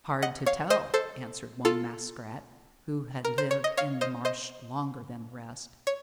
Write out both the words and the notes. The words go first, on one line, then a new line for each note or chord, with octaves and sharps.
"Hard to tell," answered one Muskrat, who had lived in the marsh longer than the rest.
D#5 F#5
C#5 F5
C5 D#5
A4 C5
F4 A4
A#4
C5
C#5
D#5
C#5 F5
C5 D#5
C5 D#5
C#5